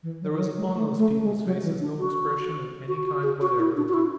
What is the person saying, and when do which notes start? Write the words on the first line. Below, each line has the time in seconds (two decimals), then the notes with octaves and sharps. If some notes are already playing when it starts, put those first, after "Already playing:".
There was upon those people's faces no expression of any kind whatever.
0.03 E3
0.21 F#3
0.32 E3
0.39 F#3
0.57 G#3
0.75 A3
0.98 A3
1.22 G#3
1.45 F#3
1.63 E3
1.81 D4
1.99 F#4
2.88 F#4
3.06 F#4
3.23 G#4
3.41 F#4
3.59 E4
3.76 D4
3.89 F#4
3.94 E4